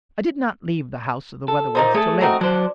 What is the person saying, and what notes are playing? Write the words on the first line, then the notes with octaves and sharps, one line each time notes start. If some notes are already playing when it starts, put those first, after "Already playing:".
I did not leave the house of the Weatherwoods till late.
A4
A#2 D#4 C5
A3 G#4 A4
C4 D#4 F#4
F#3 D4 C5